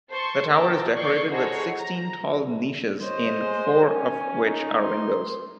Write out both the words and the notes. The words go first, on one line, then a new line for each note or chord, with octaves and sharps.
The tower is decorated with sixteen tall niches, in four of which are windows.
C5 A5 C6 C#6
A#3 G5 A5 A#5
C#5 D5 C#6 G6 C7
D#4 F#4 G#4 A4 C5 C#5
A#5
C5 C#5 D#5
G#3
C#4 G#5
D#4
C6